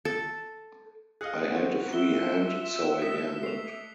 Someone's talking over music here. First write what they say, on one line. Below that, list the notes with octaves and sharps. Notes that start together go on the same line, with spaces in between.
I had a free hand, so I gambled.
A4
G#4 D#5 F5 F#6 C#7
B3 C4 F#4
F4 E5 G7
D#5 B6
A3 C7 F7